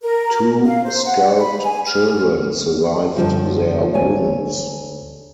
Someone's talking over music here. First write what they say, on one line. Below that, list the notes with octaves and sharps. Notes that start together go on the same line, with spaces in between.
Two scalped children survived their wounds.
A#4
F5
C5
F#5
B5
G#5
F6
F#2 D3 F3 G3
D2 C#5 D5 G#5